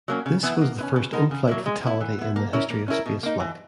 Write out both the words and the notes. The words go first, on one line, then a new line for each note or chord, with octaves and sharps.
This was the first in-flight fatality in the history of spaceflight.
F#3 A#3 C#4
C#3
E3 B3 E4
A#3
C#4 E4 B4
C#3
G#3 B3 D#4 A#4
C#3
F#3 A#3 E4
G#3
B3 E4
E3
B3 E4
A#3
C#4 E4 A#4 C#5
A#3
C#4 E4 A#4
B2
A#3 D#4
E3